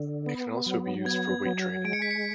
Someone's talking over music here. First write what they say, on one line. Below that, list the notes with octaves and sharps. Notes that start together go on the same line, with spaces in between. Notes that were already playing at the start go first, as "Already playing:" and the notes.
It can also be used for weight training.
Already playing: D3
B3
F#3
B3 G#6
F#3
G#3 D7
C#7
B6
C#7